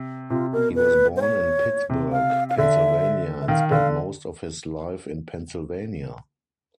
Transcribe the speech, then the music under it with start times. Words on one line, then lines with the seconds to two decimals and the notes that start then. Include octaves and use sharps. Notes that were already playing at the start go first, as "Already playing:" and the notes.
He was born in Pittsburgh, Pennsylvania and spent most of his life in Pennsylvania.
Already playing: C3
0.30 C3 F4
0.53 B2 A#4
0.76 B4
1.16 C5
1.21 C#5
1.90 C3
2.12 F5
2.49 F5
2.58 D3 E5
3.42 E5
3.48 D#3 F5
3.71 D3 F5